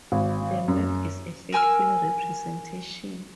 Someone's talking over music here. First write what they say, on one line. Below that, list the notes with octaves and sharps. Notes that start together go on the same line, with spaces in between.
The map is a faithful representation.
G#1
F#2
A#4 G#5 E6 F6